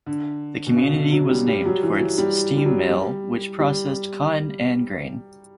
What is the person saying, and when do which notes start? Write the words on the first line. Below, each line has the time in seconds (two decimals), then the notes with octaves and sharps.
The community was named for its steam mill which processed cotton and grain.
0.06 D3
0.67 B2
0.77 C#3
0.95 D3
1.12 F#3
1.30 G3
1.48 G3
1.65 F#3
1.83 E3
2.00 F#3
2.18 G3
2.57 G3
2.65 F#3
2.89 G3
3.60 G3